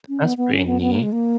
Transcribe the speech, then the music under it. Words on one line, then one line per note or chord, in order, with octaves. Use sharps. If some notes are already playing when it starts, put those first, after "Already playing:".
That's pretty neat
C#4
B3
B3
C#4
B3
B3
A#3
G#3
A#3